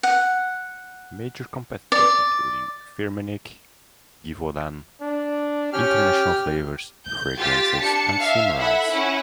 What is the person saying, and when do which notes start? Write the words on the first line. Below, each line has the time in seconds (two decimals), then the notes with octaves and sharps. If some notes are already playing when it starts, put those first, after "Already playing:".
Major competitors included Firmenich, Givaudan, International Flavors and Fragrances and Symrise.
0.03 F#5
1.92 D5
5.02 D4
5.73 C#4 G4 G5 F6
7.07 G6
7.38 F4 G4 A6 B6
7.81 D4 A5 C#7
8.19 E5 F5
8.58 E4 A4 E5 F#5 B5
8.89 C#4 E4 F#5